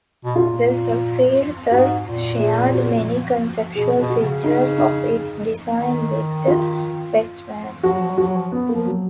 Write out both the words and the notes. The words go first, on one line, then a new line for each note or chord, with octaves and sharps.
The Safir thus shared many conceptual features of its design with the Bestmann.
B2
A#2 F4
G#2 F#4
A#2
G#4
F#4
B2 G#4
B2
F#4
C#3
D#4
D#4
D#3
F4
F3 F#4
F#3
F3
F#3
F3 F#4
F#3
F3
B3
A#3
F3
F#3